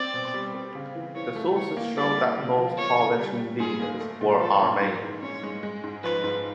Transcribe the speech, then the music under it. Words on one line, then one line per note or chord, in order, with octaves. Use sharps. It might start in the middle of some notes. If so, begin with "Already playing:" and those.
The sources show that most Paulician leaders were Armenians.
Already playing: C4 D5
B2
G3
C4
C#3
E3
E3 C#5
A3
E3 C#5
A#3
G3 D5
A#3
C#3
F3
F3 C#5
C#3
G3
G3
G#2 G#4
A#3
A3
A#2
F3 A4
A#2
G#2 A#4
E3
C#4 C#5
G#3
G#3
G#2
F3 B4
G#2